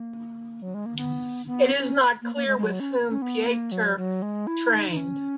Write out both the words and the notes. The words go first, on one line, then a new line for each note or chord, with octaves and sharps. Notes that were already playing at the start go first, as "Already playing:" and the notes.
It is not clear with whom Pieter trained.
Already playing: A#3
F#3
G#3
A#3
B3
B3
C#4
A#3
A#3
G#3
G#3
F#3
C#4
C#4
B3
A#3
F#3
F#3
G#3
E4
D#4
D#4
C#4